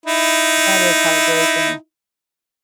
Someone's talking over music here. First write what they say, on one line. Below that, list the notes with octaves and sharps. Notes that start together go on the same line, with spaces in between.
That is heartbreaking.
D#4 E4